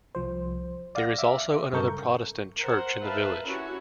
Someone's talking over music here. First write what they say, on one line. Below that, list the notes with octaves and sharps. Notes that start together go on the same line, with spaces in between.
There is also another Protestant church in the village.
C2 F3 C5
D5 F5 F#5 A#6
E5 F5 D6
G2 C#3 A4 A#4 C#6 G6
A#4 C5 F#5
A#4 B4 E5 F5 A5 B5
C#4 E4 F#4 G4 C#5